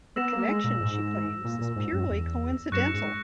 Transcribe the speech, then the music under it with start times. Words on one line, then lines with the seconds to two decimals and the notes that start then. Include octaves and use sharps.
The connection, she claims, is purely coincidental.
0.16 B3 E6 A#6 E7
0.32 A#3
0.48 G#3
0.64 A#2
0.81 G#2
1.44 A#2
1.61 A#2
1.76 G#2
1.92 F#2
2.08 E2
2.72 F#2 C#6 F#6 A#6 C#7 E7
2.94 G#2